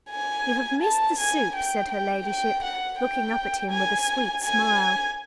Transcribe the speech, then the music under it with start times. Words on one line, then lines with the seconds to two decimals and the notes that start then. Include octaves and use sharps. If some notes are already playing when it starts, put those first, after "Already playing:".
"You have missed the soup," said her ladyship, looking up at him with a sweet smile.
0.10 G#5
0.82 A5
1.18 G#5
1.55 G5
1.91 G5
2.26 G5
2.63 F#5
2.98 G5
3.70 G#5
4.43 G#5